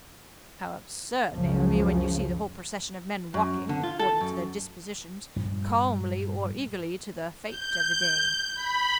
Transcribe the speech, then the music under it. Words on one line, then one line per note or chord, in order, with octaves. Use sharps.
"How absurd, Naomi, when you see the whole procession of men walking,--according to their dispositions--calmly or eagerly to their fate every day."
C#2 F#2 C#3 F3
F#2
D3
F4
A4
F#2
G2 A#2 F3
G6
B5